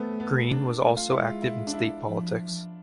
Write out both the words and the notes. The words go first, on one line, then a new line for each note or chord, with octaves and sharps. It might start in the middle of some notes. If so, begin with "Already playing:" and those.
Green was also active in state politics.
Already playing: A3 B3 C4
B3
D4
A3
F4
G#3 E4
F4
E4
D4
E4
F3